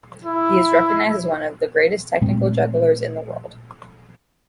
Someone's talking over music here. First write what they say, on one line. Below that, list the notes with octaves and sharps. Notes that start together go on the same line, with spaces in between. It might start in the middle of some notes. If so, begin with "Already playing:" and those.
He is recognized as one of the greatest technical jugglers in the world.
E4
A#2 G#3 A3 C4